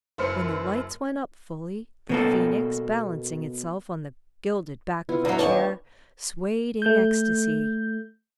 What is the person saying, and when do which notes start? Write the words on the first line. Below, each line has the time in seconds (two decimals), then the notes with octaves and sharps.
When the lights went up fully, the Phoenix, balancing itself on the gilded back of a chair, swayed in ecstasy.
0.18 F#1 F#2 B4 C5 F6 C#7
2.09 B2 A#3 A4
5.09 B3 E4 F4
5.25 E2 F#3 D4 D#5 G5
5.39 D#2 C#4 C#5 A5
6.82 A3 G6